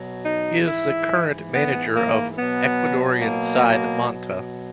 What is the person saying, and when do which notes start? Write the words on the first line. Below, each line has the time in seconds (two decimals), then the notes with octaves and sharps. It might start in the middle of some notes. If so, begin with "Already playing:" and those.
He is the current manager of Ecuadorian side Manta.
Already playing: B2 F#3
0.24 D#4
0.67 G#2 E3 E4
1.53 B3
1.96 A#3
2.37 B2 F#3 B3
3.22 A#3
4.08 B2 F#3